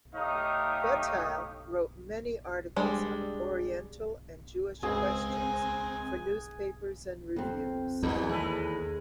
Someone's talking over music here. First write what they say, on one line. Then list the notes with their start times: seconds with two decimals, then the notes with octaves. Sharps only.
Gottheil wrote many articles on Oriental and Jewish questions for newspapers and reviews.
0.15 A3 D#4 G4 C#5 F5 D#6
2.76 G3 G#3 D4
4.83 C#2 C4 G#4 G#5
7.36 F2 C4
8.03 E2 G#2 F3 A#3
8.29 D#2 G#3 A4 B4